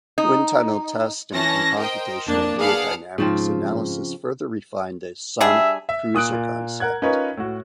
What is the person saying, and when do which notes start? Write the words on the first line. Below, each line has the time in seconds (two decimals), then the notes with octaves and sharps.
Wind tunnel testing and computational fluid dynamics analysis further refined the Sonic Cruiser concept.
0.18 D#4
1.32 E3 C#4 A5 A#6
1.80 A#4 C5 D#5 G5
2.26 F2 A#3 D4 A5
2.58 G#4 B4 D5 F5 F#5 A5
3.18 G#2 C#3 F3 C4
5.41 G3 D4 G#4 E5
5.89 E5
6.14 A#2 D#6 F#6 D7
6.32 A#2
6.80 A#4 F#5 F#6 G#6
7.02 C#4 D#4 F4 A#4 B4 C#5
7.37 A2 F#4